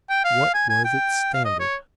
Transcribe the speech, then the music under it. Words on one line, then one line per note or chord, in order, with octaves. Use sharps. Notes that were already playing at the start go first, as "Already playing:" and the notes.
What was its standard?
G5
F5
G#5
G#5
G5
F5
D#5
C#5